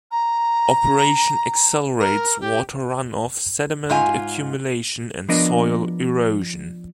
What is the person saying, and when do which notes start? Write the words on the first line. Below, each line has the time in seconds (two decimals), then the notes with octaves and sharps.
Operation accelerates water run-off, sediment accumulation and soil erosion.
0.11 A#5
2.00 A#4
2.41 G4
3.90 G#2 F4 G#5
5.29 F3 B3 D4 A#4 D#5